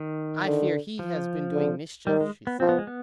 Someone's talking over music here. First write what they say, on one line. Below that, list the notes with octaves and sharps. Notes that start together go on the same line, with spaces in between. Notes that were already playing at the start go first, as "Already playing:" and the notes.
"I fear he has been doing mischief," she said.
Already playing: D#3
D3
F3
D3
D#3 G3
G#3
B3
F3 C4
B3
G#3
B3